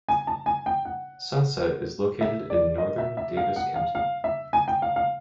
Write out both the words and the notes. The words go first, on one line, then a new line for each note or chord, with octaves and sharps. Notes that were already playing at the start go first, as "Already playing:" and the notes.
Sunset is located in northern Davis County.
G#5
A5
G#5
G5
F#5
E5
D5
D#5
E5
E5
F5
F#5
F5
F5
E5
G#5
G5
F5
F5